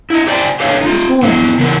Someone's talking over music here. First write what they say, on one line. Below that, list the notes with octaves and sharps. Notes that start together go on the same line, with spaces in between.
It was warm.
E4 D#5
G4 C5 D5 G5 G#5
G4 A4 C#5 F5
D#4 F4
F#3 B3 E4
C#3 E3 F#3 F#4 A#4